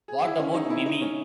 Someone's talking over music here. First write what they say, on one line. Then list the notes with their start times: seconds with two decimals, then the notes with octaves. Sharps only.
What About Mimi?
0.08 G#4
0.24 E4
0.40 C#4
0.54 D#4
0.70 E4
0.86 D#4
1.01 C#4